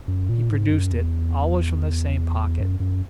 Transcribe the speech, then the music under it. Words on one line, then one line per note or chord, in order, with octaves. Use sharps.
He produced it--always from the same pocket.
F#2
A#2
G#2
F#2
E2
F#2
F#2